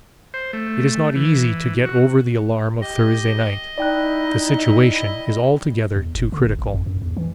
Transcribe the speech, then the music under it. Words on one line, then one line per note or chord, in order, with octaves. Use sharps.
It is not easy to get over the alarm of Thursday night--the situation is altogether too critical.
C5
A3
E3
F#4
G4 D#5
D#4 E4 D5 G5 F#6
E2
F#1
D3
F#1
A1
F2
F#2
E2
E3